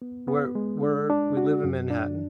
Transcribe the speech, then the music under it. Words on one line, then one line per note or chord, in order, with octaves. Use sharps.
Where where we live in Manhattan.
B3
B3
G#3
D4
D4
F#4
F#2
D4